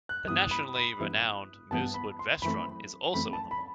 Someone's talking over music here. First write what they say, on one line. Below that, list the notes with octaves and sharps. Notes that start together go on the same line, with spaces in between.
The nationally renowned Moosewood Restaurant is also in the mall.
F#6
G2 E3 B3 E4 D#6
B5
B5
G2 E3 B3 E4
G2 E3 B3 E4 A5
B5
C6
F#2 E3 A3 C4 B5
F#2 E3 A3 C4 B5
A5
B5